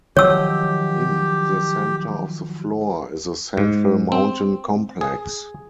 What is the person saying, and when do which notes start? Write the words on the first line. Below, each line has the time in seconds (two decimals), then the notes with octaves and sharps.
In the center of the floor is a central mountain complex.
0.17 D#3 F3 F#3 G4 C#5 E6
3.57 G#2
4.12 C4
5.01 G#4